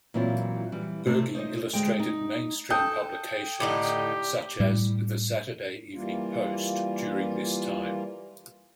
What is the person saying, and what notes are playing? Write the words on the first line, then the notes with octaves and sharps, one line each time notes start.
Bergey illustrated mainstream publications, such as "The Saturday Evening Post", during this time.
A#2 E3 F#3 C4 E4 F4
E3 G3
C3 A3 C4
D#4 C5 D5 D#5
D2 G2 G#3 G5
D#4
A4 G5 D#6 G6
A2 D3 D#4 G4
A2 G3
E3 G3 A#3 F4